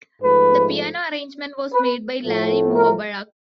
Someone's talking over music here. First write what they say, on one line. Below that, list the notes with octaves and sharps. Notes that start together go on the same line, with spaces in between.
The piano arrangement was made by Larry Muhoberac.
G#2 F3 A3 B4
B4
A2 F3 A3
A#4